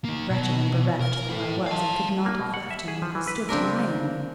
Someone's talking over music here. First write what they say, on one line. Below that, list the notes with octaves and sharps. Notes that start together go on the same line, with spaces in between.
Wretched and bereft though I was, I could not have left him while he stood denying me.
A#3 D#4
B2
A#4
E4 A4
F5 A5
A#3
B2
F#5
E5
G#4
F3
E3
B4
C#3 C4 D4 A#4